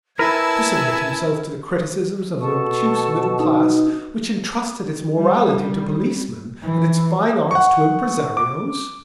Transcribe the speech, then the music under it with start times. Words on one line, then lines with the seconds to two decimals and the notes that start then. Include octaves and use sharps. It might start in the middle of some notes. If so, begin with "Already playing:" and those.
To submit himself to the criticisms of an obtuse middle class which entrusted its morality to policemen and its fine arts to impresarios?
0.19 E4 A#4 B4 G#5 A5 E6
2.41 B2 A4 A5 C#6
3.40 D#4
5.17 G3
6.62 E3
7.51 F#5 C#6
8.37 D6